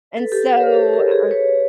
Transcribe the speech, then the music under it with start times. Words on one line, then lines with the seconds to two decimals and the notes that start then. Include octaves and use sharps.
And so, uh
0.17 A4 B4
0.32 G4 A4
0.46 A4 B4
0.56 C#5
0.60 A#4 C5
0.74 G4 A4
0.93 G#4 A#4
1.11 G#4 A#4
1.31 B4 C#5